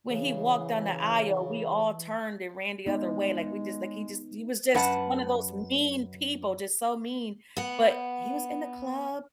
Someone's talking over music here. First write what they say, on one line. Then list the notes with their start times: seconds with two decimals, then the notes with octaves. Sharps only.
when he walked on the aisle, we all turned and ran the other way, like, we just like he just he was just one of those mean people, just so mean, but, he was in the club,
0.08 C#3 E3
2.86 G#3 B3 D#4
4.74 F#2 B4 F#5 A5
7.57 B3 F#5